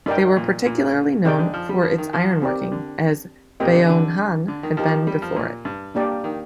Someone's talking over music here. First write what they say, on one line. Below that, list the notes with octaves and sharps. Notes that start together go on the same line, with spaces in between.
They were particularly known for its iron-working, as Byeonhan had been before it.
G2 D#4 A#4 D5 G5
A#2
A#2
C3 D#4 G#4 D5 G5
D3
F3
G3
F3
D#3
F3
D#3 C4 G4 A#4 D5
D3
A#2 C4 G4 A#4 D#5 G5
D3
D3
D3
D#3
F3 D#4 G4 A#4
G3
F3
A#2
G2
A#3 D4 G4 A#4 D5
D#3